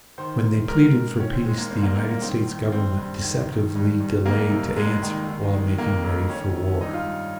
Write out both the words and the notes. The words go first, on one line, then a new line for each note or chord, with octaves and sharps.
When they pleaded for peace, the United States Government deceptively delayed to answer, while making ready for war.
D#3 C5
D#3
G#2 A#4
G#2
D#3 C#4
C4
D#3 G#3
A#3
G2 C4
A#3
G2 A#3
A#3
D#3 C4
D#3
G2 C4
G2
D#3
D#3
G2
G2
F2 A#3
C3
F2 G#3
D#3
D#3
D#3
F2 A#3
F2
D#3 C#4
D#3
G2 D#4
F4
G2